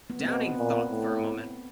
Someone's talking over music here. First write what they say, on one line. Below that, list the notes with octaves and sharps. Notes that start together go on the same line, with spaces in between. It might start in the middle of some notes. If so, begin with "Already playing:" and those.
Downing thought for a moment.
B3
C4
B2 B3
A#2
A2